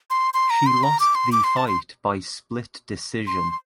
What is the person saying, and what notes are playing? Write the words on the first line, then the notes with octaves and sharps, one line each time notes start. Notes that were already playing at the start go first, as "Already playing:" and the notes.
She lost the fight by split decision.
C6
C6
A#5
C6
A#5
D6
C6
D6
C6
A5
C6
C6
C6